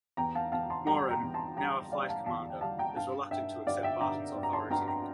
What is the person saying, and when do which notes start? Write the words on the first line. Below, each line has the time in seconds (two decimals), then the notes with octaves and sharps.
Moran, now a flight commander, is reluctant to accept Barton's authority.
0.17 E2 G5 A#5
0.35 F5 A5
0.52 E2 F5 A5
0.70 A5 C6
0.87 G3 G5 A#5
1.11 G5 A#5
1.23 E2
1.34 A5 C6
1.57 G3 G5 A#5
1.92 G3 D5 F5
2.09 F5 A5
2.26 E2 F5 A5
2.50 G5
2.61 G3 F5 A5
2.79 G5 A#5
2.96 G2 F5 A5
3.31 G2 E5 G5
3.67 G2 D5 F5
3.83 E5 G5
4.01 G2 G5 A#5
4.36 G2
4.43 A#5
4.53 A5 C6
4.70 G2 G5 A#5
4.88 G5 A#5